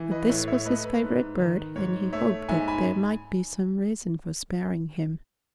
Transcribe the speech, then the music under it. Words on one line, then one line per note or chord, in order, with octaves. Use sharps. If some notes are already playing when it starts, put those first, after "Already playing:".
But this was his favorite bird and he hoped that there might be some reason for sparing him.
Already playing: E3
B4 D#5
A2 C#5 E5
C#5 E5
A3 B4 D#5
B4
G#2
D#3
G#2 C#5
A3 C#5 E5
G#2 E5 G#5
G#5 B5